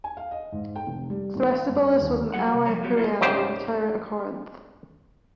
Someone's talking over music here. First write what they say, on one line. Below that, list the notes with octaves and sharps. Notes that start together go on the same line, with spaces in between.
Thrasybulus was an ally of Periander, the tyrant of Corinth.
G#5
F5
D#5
G#2
G5
F1
G3
G#1
F5
G2
D#2
G2 F#3 G3 F#5
C3
F2 G3 C#5
F#3 B3 G4
A#3 E4 F4 A4 D5
C2 G#2 C#3 G4 C5